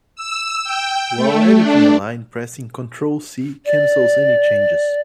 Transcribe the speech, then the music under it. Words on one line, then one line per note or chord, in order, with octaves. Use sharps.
While editing a line pressing Ctrl-C cancels any changes.
E6
G5
A3
D4
D5